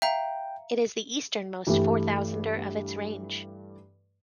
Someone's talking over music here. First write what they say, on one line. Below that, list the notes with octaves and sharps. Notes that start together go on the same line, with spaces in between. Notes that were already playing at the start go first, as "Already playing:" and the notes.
It is the easternmost four-thousander of its range.
E5 F5 G5 A#5
G2 E3 G3 A3